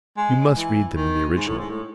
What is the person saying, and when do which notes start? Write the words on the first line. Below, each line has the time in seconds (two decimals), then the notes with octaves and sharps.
You must read them in the original.
0.17 G#3
0.56 E3
0.96 D#3
1.36 G#2
1.47 A2
1.58 G#2
1.70 A2